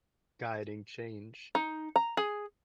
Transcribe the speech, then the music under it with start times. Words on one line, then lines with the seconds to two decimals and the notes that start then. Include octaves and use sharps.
guiding change,
1.55 D#4
1.96 A#5
2.17 G#4